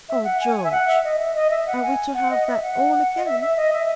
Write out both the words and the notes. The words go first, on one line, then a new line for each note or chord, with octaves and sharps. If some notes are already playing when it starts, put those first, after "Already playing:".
"Oh George, are we to have that all again?"
E5
F#5
G#5
G#5
E5
F#5
E5
D#5
E5
D#5
E5
F#5
G#5
F#5
D#5
E5
F#5
D#5
E5
E5
D#5
E5